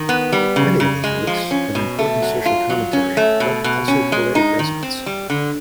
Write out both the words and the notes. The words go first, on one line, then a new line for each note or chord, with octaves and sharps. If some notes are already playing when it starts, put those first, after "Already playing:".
Many of his works have important social commentary but also poetic resonance.
Already playing: D#3
B3
G3
C#3
C#3
G#3
F3
C#4
B2
A3
F#3
F4
F#3
C#4
A3
B2
B2
C#4
G#3
D#4
D#3
C4
G3
D3